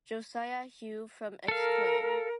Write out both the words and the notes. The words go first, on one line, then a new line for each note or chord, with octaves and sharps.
Josiah Hughes from Exclaim!
A4 A#4 F5